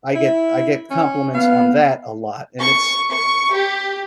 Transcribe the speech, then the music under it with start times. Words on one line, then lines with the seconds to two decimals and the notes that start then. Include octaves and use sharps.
I get I get compliments on that a lot, and it's
0.15 E4
0.90 C#4
1.34 B3 F5
2.60 C#6
3.12 C#6
3.55 G4